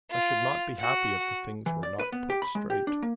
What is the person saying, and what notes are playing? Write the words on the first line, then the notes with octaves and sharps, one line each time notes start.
I should not be happy if the things were not put straight.
F4
F#4
E3
D5
B4
B3
G4
B5
G#3
G4
D4
A#3